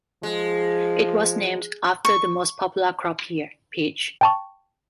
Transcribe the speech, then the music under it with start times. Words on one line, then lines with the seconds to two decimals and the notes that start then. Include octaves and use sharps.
It was named after the most popular crop here, peach.
0.23 F3 G#3
2.05 C#6
4.21 G5 A5 C#6